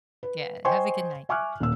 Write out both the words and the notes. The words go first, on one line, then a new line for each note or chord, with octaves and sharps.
Yeah, have a good night.
B4
C5 D#5 G5 G#5 C6 C#6
E5 G#5 C#6 D6 F6 F#6
D#1 A#3 E6